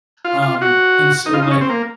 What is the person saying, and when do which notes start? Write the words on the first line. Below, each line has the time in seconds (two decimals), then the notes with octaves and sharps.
Um, and so, like
0.24 F4
0.42 F4
0.61 F#4
1.26 D#4
1.34 F4
1.42 D#4
1.51 C#4
1.61 C4
1.69 A#3